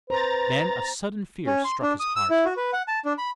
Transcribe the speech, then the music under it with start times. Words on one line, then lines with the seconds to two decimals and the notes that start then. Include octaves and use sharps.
Then a sudden fear struck his heart.
0.10 B4 C5 A#5 A6
1.47 C#4
1.64 C6
1.82 D4
2.00 D#6
2.16 E6
2.30 E4
2.45 F#4
2.57 B4
2.73 F#5
2.88 A5
3.05 D4
3.18 B5